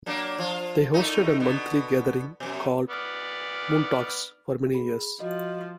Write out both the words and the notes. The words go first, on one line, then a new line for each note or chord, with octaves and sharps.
They hosted a monthly gathering called "Moontalks" for many years.
F#3 A#3 D4
F3 F4
A2 A3 D#4
B2 D3 B3
F#2 B2
B3 D5 F6
G#4 B5
F3 F4 F#4 D#5